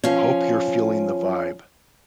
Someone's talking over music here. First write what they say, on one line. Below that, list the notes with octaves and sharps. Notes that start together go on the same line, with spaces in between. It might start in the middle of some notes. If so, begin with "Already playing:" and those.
Hope you're feeling the vibe!
F3 C#4